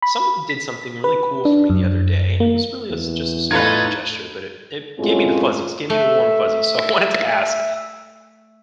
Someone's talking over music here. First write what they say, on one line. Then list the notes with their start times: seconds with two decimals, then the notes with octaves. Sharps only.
Someone did something really cool for me the other day, and it was really a just a small little gesture, but it it gave me the fuzzies, gave me the warm fuzzies. So, I wanted to ask,
0.02 B5
0.49 B6
1.04 B4
1.45 D4
1.70 F#2
2.40 A#3
2.91 E2
3.51 A2 D#4 F4 A4 B4 G#6
4.98 F#2 A2 G#3 C4 C#4 F4
5.90 A3 E5